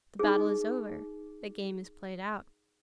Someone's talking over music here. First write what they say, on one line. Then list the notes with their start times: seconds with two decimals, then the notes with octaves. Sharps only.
"The battle is over--the game is played out."
0.19 D#4 G#4